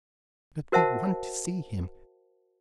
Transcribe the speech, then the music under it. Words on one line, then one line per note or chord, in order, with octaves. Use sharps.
But we want to see him.
F#4 A#4 C5 E5 F#5 A5